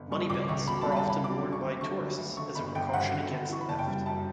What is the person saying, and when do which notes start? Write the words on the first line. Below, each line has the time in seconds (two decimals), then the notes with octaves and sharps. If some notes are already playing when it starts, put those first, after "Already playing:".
Money belts are often worn by tourists as a precaution against theft.
Already playing: G1
0.11 G3 C#6
0.30 C#2 D6
0.48 C#2 C#6
0.67 B2 B5
0.81 G3 A5
0.92 B5
0.96 A5
1.06 C#2 B5
1.24 F#3 D6
1.44 D2
1.53 C#6
1.62 D2
1.80 D3 C#6
2.00 F#3
2.18 D2
2.37 D3 C#6
2.55 G1 B5
2.75 G1 G5
2.94 G2 F#5
3.13 D3
3.31 G1
3.50 E3 C#6
3.61 B5
3.69 F#1 A5
3.79 G5
3.87 G3
4.06 F#2 A5